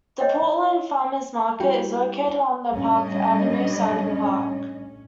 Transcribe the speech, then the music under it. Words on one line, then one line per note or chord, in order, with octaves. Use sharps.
The Portland Farmers Market is located on the Park Avenue side of the park.
C#5 D#5 G5
G3 E4 F#4 G5
A2 G3 C#4 D4 D#5